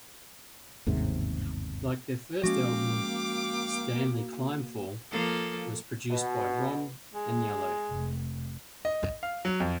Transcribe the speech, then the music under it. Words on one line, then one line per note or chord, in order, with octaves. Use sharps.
Like their first album, "Stanley Climbfall" was produced by Ron Aniello.
G1 D#2 G#2 C3
F3 G#3 A#3 C#4 F#4 F5 G5 D6
F3 A#3 A4
B2
G#3
F1
D#5
F5
F#3
F2